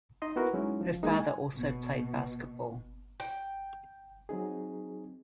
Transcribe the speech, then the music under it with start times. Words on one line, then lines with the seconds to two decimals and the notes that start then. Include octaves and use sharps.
Her father also played basketball.
0.22 D#4 D#5 C6
0.36 B3 E4 F#4 A#4 B4
0.53 F#3 G#3 C#4 D#4 E4
0.81 F3
1.03 G#3 A#3 D#4
1.20 G#5
1.54 B2
3.20 G5
4.29 F#3 C4 D#4 G#4